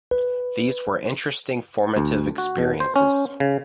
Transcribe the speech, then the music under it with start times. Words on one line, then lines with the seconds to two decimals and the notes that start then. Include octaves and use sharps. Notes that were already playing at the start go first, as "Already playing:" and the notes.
These were interesting formative experiences.
0.11 B4
1.97 D2
2.38 F#4
2.58 B2
2.80 C5
2.96 C#4
3.40 C#3